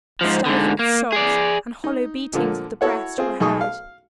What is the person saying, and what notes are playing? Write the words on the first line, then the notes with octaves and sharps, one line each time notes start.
Stifled sobs and hollow beatings of the breast were heard.
G#2 F3
G#2 D3
A#3
G#4 D5
D#4
A#2 D3 F3 A#3
E4 F#4 A4 C#5 F#5
C4 F4 G#4
B1 D#4 G#4 C#6 D#6
F5